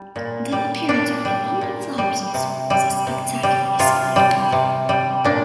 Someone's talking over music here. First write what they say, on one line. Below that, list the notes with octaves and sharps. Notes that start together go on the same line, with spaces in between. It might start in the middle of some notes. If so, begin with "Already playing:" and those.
The appearance of abundant flowers in summer is a spectacular display.
Already playing: G3
A#2
G3
A#2 D4
G3
A#2
G3
C3
G3
C3
G3
C3 F4
G3
C3
G3
A#2 D4